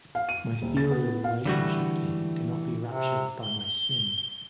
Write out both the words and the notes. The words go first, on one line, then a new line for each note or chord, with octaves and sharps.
My filial relationship to him cannot be ruptured by my sin.
F5
D#7
D#1
A6
B3
F5
D3 E3 G3 A3 F#4
C3
G7